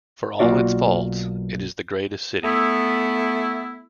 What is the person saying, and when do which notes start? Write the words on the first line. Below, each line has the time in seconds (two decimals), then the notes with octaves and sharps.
For all its faults, it is the greatest city.
0.39 B1 C3 A#3 F4 F#4 D5
2.44 A3 B3 E4